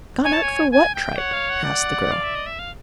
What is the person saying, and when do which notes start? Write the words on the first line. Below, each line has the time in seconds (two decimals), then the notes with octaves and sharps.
"Gone out for what tripe?" asked the girl.
0.24 C#5 G#5
0.33 A5
0.43 G#5
0.71 G#5
0.95 G5
1.17 C#5 F#5
1.33 F5
1.49 F#5
1.64 D5
2.11 F5
2.23 E5
2.35 D#5
2.46 E5
2.59 F5